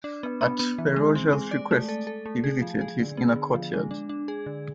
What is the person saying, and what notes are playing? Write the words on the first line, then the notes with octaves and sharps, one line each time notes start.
At Ferozshah's request, he visited his inner courtyard.
D4
B3
B3
B3
E3
G#3
C4
G#3
D5
A3
A4
A4
A3
G#4
F3
G#4
D3
B3
D3
F3
G#3
D4
D4
G#4
D3